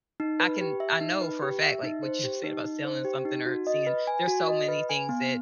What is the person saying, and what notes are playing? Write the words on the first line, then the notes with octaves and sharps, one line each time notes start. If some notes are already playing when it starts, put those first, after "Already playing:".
I I can I know for a fact, like what you said about selling something or seeing there's so many things that,
D#4
B4
G4
E5
D#4
B4
G4
E5
D#4
C5
G4
D#4
D#4
C5
G4
D#4
F#4
D#5
B4
G#5
F#4
D#5
B4
G#5
B3